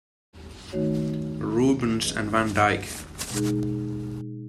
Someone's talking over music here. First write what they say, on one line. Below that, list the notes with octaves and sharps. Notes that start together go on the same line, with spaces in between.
Rubens and van Dyck.
D#3 A3 D#4 F#4 C#5
G#3 C#4 G#4 B4 D#5
B2 G#3 D#4 G#4